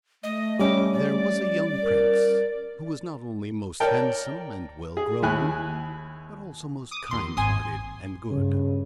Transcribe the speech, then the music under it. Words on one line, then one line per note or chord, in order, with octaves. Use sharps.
There was a young prince, who was not only most handsome and well-grown, but also most kind-hearted and good.
A3 D#5
G3 C#4 D6
D5
A#4
A#4 C#5 D5 G5 A5
G#4
D#2 E4 G#5 F#6
D6 D#6
D#2 C6
G#1 G#5 C6 D#6
G2 C#3